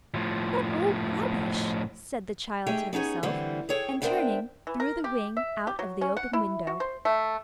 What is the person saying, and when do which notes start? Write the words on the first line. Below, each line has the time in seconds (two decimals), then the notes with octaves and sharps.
'What old rubbish,' said the child to herself, and, turning, threw the wing out of the open window.
0.15 A2 F3
2.66 A3 D#4 G4 G#4 G5 G#5
2.93 B3 C#4 D#4 G#4 C#5
3.23 D3 E3 G3 A3 C4
3.69 G#4 A4 C#5 G5
4.02 B3 D4 A#4 C5 E5 G5
4.67 E3
4.80 A#4
5.04 G4
5.37 E5
5.67 G4
5.79 F#3
6.01 C#4
6.17 F#5
6.33 E4
6.67 F#4
6.80 C5
7.05 A3